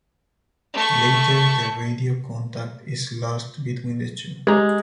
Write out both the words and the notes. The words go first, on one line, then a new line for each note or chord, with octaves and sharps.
Later the radio contact is lost between the two.
A3 C#6
G#3 G4 A#5